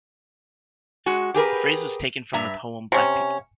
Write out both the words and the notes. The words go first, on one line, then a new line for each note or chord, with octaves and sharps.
The phrase was taken from the poem, Black People!
G#3 F#4
G4 G#4 A#4 B4
G2 E5 A#5
C3 C#4